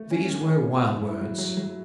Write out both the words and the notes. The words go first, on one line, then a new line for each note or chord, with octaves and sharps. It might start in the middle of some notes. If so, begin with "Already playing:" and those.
These were wild words.
Already playing: A3
C#4
C#4
C#4
C#4
A3
E4
F#3
F#3
F#3